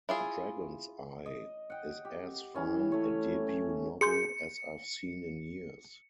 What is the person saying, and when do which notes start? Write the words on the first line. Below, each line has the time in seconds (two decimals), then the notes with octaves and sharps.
Dragon's Eye is as fine a debut novel as I've seen in years.
0.09 E4 F4 G#4
1.26 D#5
1.70 F#5 G5
2.05 G4
2.54 E3 C#4 E4
2.92 A3 C#5
3.47 C#4
4.01 G#4 C6 G6 C#7